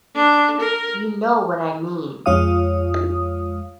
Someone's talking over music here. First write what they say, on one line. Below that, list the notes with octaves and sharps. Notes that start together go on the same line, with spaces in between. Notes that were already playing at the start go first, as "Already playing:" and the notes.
You know what I mean.
D4
A#4
F2 G#3 F4 C#5 F5 D#6